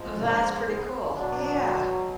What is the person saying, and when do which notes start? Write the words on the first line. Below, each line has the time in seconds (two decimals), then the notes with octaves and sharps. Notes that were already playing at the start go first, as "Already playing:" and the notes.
That's pretty cool, yeah.
Already playing: G#2 F3 G#3
0.24 D4
0.70 B3
1.15 B2 F#3 D4